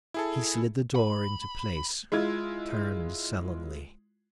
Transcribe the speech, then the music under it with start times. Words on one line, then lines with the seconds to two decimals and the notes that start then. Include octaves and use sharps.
He slid the door into place, turned sullenly.
0.14 E4 G#4 A4
0.96 B5
2.12 G#3 E4 F4 G#6